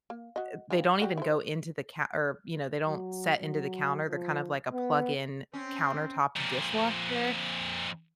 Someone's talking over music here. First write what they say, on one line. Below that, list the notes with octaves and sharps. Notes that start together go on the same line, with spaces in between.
eh, they don't even go into the ca or, you know, they don't set into the counter. They're kind of like a plug in countertop dishwasher.
A#3
F#4 D#5
D#3 F3 G3
G3 F#4 G4
E4 C5
F#3
F#3
F3
B3
C4 C#4
F2 A#2